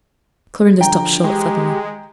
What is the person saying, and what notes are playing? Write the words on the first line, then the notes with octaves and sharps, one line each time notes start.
Clorinda stopped short suddenly.
D3 F3 G5 A#5
G#3 G4